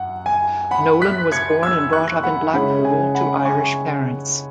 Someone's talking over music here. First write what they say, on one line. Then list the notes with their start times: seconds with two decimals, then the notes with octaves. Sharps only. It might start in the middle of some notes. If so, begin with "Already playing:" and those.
Nolan was born and brought up in Blackpool to Irish parents.
Already playing: F#2 F#5
0.26 G#5
0.71 F#5 B5
1.02 F#6 B6
1.32 G#6 C#7
1.63 E6 G#6
1.93 C#6 F#6
2.23 F#5 B5
2.54 C#3 G#3 C#4 E4 F#5 B5
2.85 G#5
3.15 F#5 B5
3.45 G#5 C#6